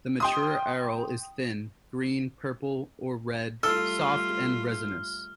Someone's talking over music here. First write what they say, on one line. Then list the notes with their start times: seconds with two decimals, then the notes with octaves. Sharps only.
The mature aril is thin, green, purple or red, soft and resinous.
0.20 G5 C6 D#6
3.63 G3 A3 F4 A4 E6 F6